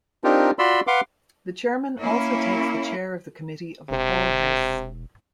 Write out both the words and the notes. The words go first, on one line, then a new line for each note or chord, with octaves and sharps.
The Chairman also takes the Chair of the Committee of the Whole House.
C4 D4 D#4 F4 G4 A#4
F4 F#4 D5 B5 C6 E6
B4 F5 F#5 C6 D6
A#3 C#4 E4
E1 C3